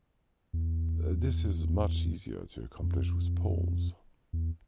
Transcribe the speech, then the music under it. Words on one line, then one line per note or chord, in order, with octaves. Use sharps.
This is much easier to accomplish with poles.
E2
F2
E2